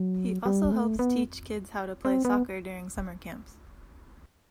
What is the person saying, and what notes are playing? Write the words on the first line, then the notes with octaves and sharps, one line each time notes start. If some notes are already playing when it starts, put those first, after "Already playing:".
He also helps teach kids how to play soccer during summer camps.
Already playing: F#3
G3
A3
B3
C4
B3